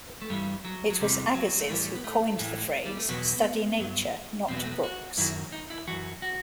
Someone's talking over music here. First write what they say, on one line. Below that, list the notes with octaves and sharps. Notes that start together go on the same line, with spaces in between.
It was Agassiz who coined the phrase, Study nature, not books.
A3
G2 E3 G3
F#3
F#3
E2 C3 E3 G3
F#3
A3
A2 E3 G3
B3
A3
A2 E3
G3
A3
E2 B2 F#3 B3
G2 F#3
E2 B2 F#3 C4
B3
A3
B3
F#4
F#2 D#3 F#3 E4
D#4
E4
F#2 E3 F#4
F#4